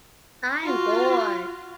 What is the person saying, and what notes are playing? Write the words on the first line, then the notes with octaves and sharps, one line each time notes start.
I’m bored.
F4 F#4